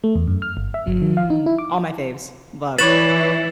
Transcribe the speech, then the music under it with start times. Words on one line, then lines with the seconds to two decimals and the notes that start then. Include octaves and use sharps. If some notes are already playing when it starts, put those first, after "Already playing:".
Mm, all my faves. Love.
0.04 A3
0.16 E2
0.28 F#2
0.42 F6
0.57 G1
0.74 E5
0.88 G1
1.02 D#3
1.17 F5
1.30 D#4
1.46 E4
1.58 D6
2.78 E3 E4 B4 C#5 D5 A6 E7 F#7